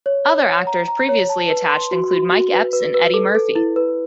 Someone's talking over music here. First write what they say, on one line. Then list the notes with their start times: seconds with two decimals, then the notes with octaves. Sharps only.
Other actors previously attached include Mike Epps and Eddie Murphy.
0.06 C#5
0.26 C#5
0.47 F#5
0.67 A#5
0.88 A#5
1.09 C#5
1.29 A5
1.50 B4
1.70 C6
1.91 F#4
2.11 F#4
2.32 F#4
2.53 B4
2.73 B4
2.94 B4
3.14 A4
3.35 A4
3.56 E4
3.76 B4